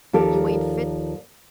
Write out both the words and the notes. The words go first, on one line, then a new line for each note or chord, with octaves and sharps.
"You ain't fit."
D#2 F3 G4 A4 A#4 D5